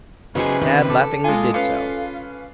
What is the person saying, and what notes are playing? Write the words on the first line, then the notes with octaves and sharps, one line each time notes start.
Tad laughingly did so.
C#3 F#3 C#4 D#4 G#4 B4 C5
C3 D#3
A4 D6
G#3 F4 G#5
C#4 F4 B4 F5 C#7